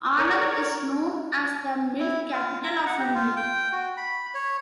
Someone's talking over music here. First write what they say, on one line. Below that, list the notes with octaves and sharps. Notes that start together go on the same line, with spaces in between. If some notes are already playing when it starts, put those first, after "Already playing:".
Anand is known as the Milk Capital of India.
A#4 C#5 D5
E4
F4
A#5
F#5
G4
F4
G5
F#4
B5
C#5